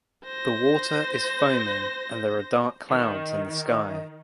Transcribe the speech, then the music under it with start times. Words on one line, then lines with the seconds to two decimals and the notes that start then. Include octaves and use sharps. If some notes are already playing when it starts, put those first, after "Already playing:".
The water is foaming and there are dark clouds in the sky.
0.24 C5 A#6
2.90 D#3